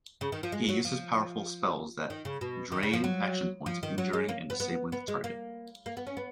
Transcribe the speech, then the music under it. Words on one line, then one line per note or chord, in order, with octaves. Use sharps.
He uses powerful spells that drain Action Points, injuring and disabling the target.
C#3
D#3
F3
G#3
F#3
F3
D#3
C#3
B2
D#3
C#3
F3
F#3
F3
D#3
F#3
G#3
A#3
B3
B3
B3
G#3
A#3
A#3
B3
C#4
B3